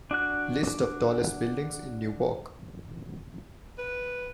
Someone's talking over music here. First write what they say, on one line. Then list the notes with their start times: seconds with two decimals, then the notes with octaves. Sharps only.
List of tallest buildings in Newark.
0.11 D4 F#4 F#6
3.79 B4